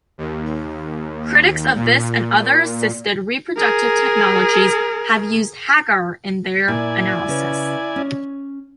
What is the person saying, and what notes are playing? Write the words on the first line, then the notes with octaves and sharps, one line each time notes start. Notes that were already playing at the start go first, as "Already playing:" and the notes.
Critics of this and other assisted reproductive technologies have used Hagar in their analysis.
D#2
A#2
G#4 A#4
A#2 E4 D5 G#5
C#3 B4
C#4